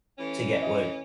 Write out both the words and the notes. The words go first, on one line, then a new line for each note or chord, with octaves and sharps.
to get what
E3 A3 C#4
D#5